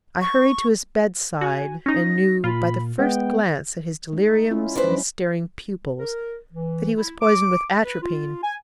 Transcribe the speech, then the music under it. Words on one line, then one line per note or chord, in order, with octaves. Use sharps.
I hurried to his bed-side, and knew by the first glance at his deliriums and his staring pupils that he was poisoned with atropine.
C#6
F#4 G#5
C#4 D#4 A#6
A#2 F4 B5
G#3 B3 G5
G#3 D#4
C#4 E4 F4
B4 C5 D5
F#3 C#4 D4
A#4
E3
E4
D6
B4
F4
G#5